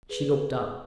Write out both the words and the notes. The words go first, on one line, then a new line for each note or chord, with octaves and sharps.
She looked up.
G#4 B4